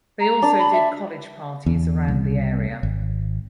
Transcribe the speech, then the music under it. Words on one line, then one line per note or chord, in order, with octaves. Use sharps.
They also did college parties around the area.
A#5
D4
B5
E5
E2
C2
G#1